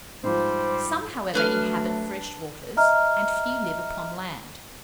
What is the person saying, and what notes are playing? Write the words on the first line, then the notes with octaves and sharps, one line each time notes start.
Some, however, inhabit fresh waters, and a few live upon land.
G#2 F3 G3 C5
F#3 A3 D4 A4 B4 F6
D#5 E5 A#5 F6